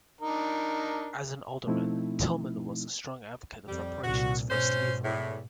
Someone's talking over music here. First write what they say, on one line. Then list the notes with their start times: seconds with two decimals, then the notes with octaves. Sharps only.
As an Alderman, Tillman was a strong advocate of reparations for slavery.
0.21 D4 D#4 A#4
1.67 B2 F3 A3 C4 D#4 E4
3.67 F2 G3
4.02 C2 A#2 F#4
4.49 G#2 B2 C#4 C5
5.03 E2 A2